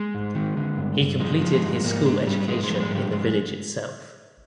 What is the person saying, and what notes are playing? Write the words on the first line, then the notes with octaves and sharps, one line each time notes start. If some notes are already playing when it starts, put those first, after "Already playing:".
He completed his school education in the village itself.
Already playing: G#3
G#2
D#3
D3
G2
G2
F3 G#3
F3
G#3
G2
G#2 A#3
G#2 G#3
G#2 G3
F3 G#3
G#3
F3
G3
G#3
G#2 G3
G2 G#3